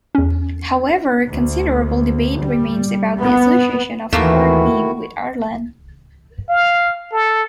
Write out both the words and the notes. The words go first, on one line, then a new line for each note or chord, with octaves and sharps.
However, considerable debate remains about the association of corned beef with Ireland.
E2 C#4
D2
G3
B3
D#2 D#3 E3 A3 A#3 E4 F#4
F5
A4